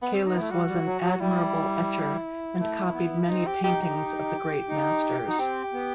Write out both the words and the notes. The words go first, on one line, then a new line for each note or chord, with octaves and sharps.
Caylus was an admirable etcher, and copied many paintings of the great masters.
B3
C4
B3 D#4
A3 E4
G3 F#4
G3
F#3
F#3
G3 E4
A3
B3
C4 D#4
G4
D#4 G4
G4
D#4
D#4 F#4
C4 G4
B3